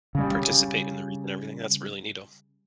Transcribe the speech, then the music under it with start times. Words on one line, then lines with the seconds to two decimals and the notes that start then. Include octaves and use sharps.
Participate in the wreath and everything, that's really neato.
0.15 C#3 G3